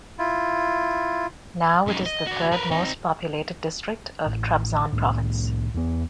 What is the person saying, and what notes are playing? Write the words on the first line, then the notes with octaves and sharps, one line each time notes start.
Now it is the third most populated district of Trabzon province.
E4 F4
F#2 D#4
D#5
F#4 D5
A#4 B4
C4 D#4
A1
C2 A2
E2 B3